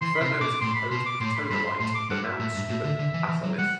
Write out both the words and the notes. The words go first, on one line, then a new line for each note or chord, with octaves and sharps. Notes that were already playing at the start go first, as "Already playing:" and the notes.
Fernow is composed of tonalite of the Mount Stuart batholith.
E3 C6
B5
C3 C6
B2 D6
A2 C6
B5
B2 C6
D6
A2 C6
B5
C6
G2 B5
C6
A2 C6
D6
G2 F#5
E5
A2
G2
A2
D3
D3
E3
E3
F#3
G3 F#5